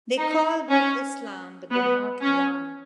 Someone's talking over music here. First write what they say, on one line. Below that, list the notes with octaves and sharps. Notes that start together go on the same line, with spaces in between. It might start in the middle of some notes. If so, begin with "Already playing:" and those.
They call both Islam, but they are not one.
D#4
C#4
B3
C#4